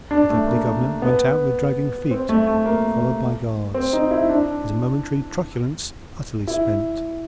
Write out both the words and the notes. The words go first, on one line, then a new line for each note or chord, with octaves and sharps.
The Deputy-Governor went out with dragging feet, followed by guards, his momentary truculence utterly spent.
D4
A3
A#3
B3
C4
A3
A3
A#3
C4
D#4
E4
D4
E4